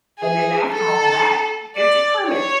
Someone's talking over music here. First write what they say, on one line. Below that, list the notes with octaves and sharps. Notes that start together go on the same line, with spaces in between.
And then, after all that, you get to trim it.
G#4
A4
D5
C#5